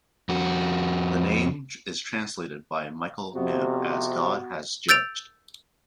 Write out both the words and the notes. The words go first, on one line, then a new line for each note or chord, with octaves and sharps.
The name is translated by Michael Knibb as "God has judged".
F2 F#4
F2 C3 B3 F#4
E6 G6 A6 D7 F7